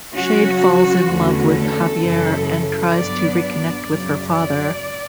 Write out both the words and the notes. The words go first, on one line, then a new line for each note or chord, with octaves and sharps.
Shade falls in love with Javier and tries to reconnect with her father.
C#3 F#3 C#4 F#4
E2 D3 A3 C#4
A4
F#2 C#3 E3
G2 F#3 B3 D4 D5
D5
F#2 C#3 F#3
D5